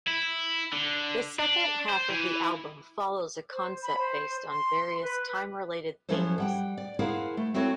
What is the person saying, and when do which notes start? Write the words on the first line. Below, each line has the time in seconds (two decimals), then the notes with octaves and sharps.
The second half of the album follows a concept based on various time-related themes.
0.08 E4
0.73 D3
1.39 D4
1.89 C5
2.10 E3
3.51 C5
3.82 B5
3.97 C5
4.46 C6
5.02 B4
6.09 F3 F#3 C#4 E4 A4 C5
6.38 G3 F#5 G5
6.77 D5
6.99 E4 G#4 A#4 C5 F5 F#5
7.37 A3
7.54 C4 E4 F#4 A4 C#5